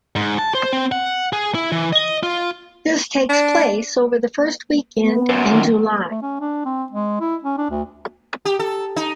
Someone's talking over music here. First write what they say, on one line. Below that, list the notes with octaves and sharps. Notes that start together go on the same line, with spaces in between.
This takes place over the first weekend in July.
G#2
A5
C5
C4
F#5
G#4
E4
E3
D#5
F4
D4
B3
F#2 A#2
D#3
A3
C#4
D4
C4
G#3
E4
C#4
D4
D2
G4
A4
D#4